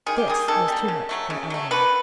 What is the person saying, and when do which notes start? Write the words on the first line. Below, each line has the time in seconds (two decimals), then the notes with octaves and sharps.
This was too much for Eleanor.
0.06 D#3 G#4
0.18 G4
0.28 G3 A#3 G#4
0.48 D#3 A4
0.68 G3 A#3
0.88 C#3
1.09 F#3 A3
1.30 C#3
1.50 F#3 A3
1.71 D3 B4